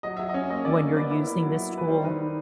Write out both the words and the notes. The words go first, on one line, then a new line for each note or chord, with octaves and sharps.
when you're using this tool?
F#3 D#5
F#3 E5
D#5
C#4
A#3 D#5
C#4 D5
A#3
B3 D5
E4
E4
F#3
E4
E4 B4
G3 C5
D#3 B4